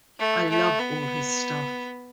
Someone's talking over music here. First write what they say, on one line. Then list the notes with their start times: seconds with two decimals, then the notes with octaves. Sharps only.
I love all his stuff.
0.19 A3
0.49 A3
0.79 B3